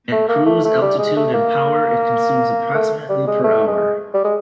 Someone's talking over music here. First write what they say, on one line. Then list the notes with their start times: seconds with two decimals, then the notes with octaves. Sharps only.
At cruise altitude and power, it consumes approximately per hour.
0.12 A3
0.28 A#3
0.46 A3
0.65 A3
0.82 G3
0.98 G#3
1.16 A3
1.34 A#3
2.74 A3
3.09 G3
3.27 G#3
3.44 A3
3.67 G#3
4.14 G3
4.24 G#3